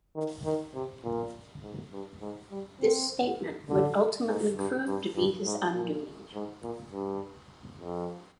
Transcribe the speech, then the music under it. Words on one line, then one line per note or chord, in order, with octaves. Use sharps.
This statement would ultimately prove to be his undoing.
D#3
D#3
C3
A#2
G#2
G2
G#2
G3
C4
D3
G#2
G2
G2
G2
G#2
A#2
G#2
A#2
G2
F2